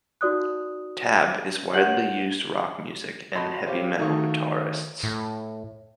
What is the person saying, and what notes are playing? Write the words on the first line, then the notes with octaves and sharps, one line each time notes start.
"Tab" is widely used rock music and heavy metal guitarists.
D#4 F#4 D5 D#6 F#6
G4 C#5 F#5 F#6 G6 F#7
F#4 D#5 A5 B5 C6
G4 C5 C#5 F5
D#3 A3 F#4 F5 C#6
A2